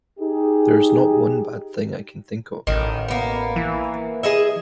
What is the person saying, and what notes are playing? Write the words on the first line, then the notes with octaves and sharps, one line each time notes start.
There's not one bad thing I can think of.
D#4 G4 G#4
A1 D#3
A#3 B3
E3
G#4 D#5 E5